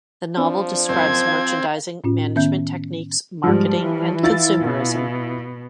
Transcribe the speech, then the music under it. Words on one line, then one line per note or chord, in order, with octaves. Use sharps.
The novel describes merchandising, management techniques, marketing, and consumerism.
F3 C4 D4
F#1 C4 C5 G6 G#6
F5
A2 C#4 F4
D#3 B3 C#4 E5 G6
G#2 F3 G3
E3
E4 F4 A6
B2